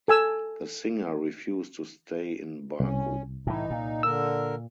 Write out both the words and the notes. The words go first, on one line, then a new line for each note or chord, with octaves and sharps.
The singer refused to stay in Baku.
A4 G#5 E6
C2 C#4
A2 E3 D#4
A#2
D3 A#4 E6